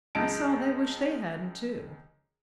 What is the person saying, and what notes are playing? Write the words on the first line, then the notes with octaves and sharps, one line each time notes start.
I saw they wished they hadn't too.
C#2 F#2 G#3 D#4 A5 D7